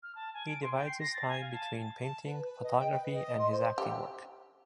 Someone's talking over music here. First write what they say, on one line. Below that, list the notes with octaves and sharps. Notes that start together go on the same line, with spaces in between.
He divides his time between painting, photography and his acting work.
F6
A5
G#5
D7
C6
G5
C7
A#6
A6
G#5
F5
A5
A5
B4
B4
D#5
G5
B4
D#5
C6
C5
G4